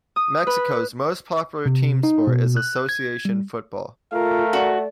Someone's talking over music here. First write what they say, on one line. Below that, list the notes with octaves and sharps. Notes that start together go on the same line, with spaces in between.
Mexico's most popular team sport is association football.
D#6
B4
C3
D#4
B2
F#6
G#6
G3
A3 F4 A#4 F5
F#4 D5